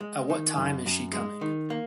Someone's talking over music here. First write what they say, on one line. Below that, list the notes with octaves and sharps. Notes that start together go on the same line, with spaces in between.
At what time is she coming?
G#3
D#3
F#2
F#2
G#3
D#3
A#3